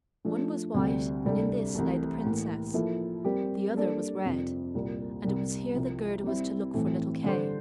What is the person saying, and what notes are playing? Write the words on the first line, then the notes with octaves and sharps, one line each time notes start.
One was white, and in this lay the Princess; the other was red, and it was here that Gerda was to look for little Kay.
F3 A3 D4
D2 C3 G3 C4
C2 C3 G3 D4 A4
C2 C3 E3 A3
A2 E3 A#3
F3 A#3 E4 A4
G3 C4 G4 A#4
G3 A#3 D4 A4 D5
F2 C3 F3 C4
C2 A#2 G3
C2 C3 G3
C2 C3 F3
G3 C4 E4
A2 E3 A3 C4
D3 G3 D4 A4 C5